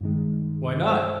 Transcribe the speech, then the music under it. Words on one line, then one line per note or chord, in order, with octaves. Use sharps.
"Why not?"
G2 D#3 G#3
C5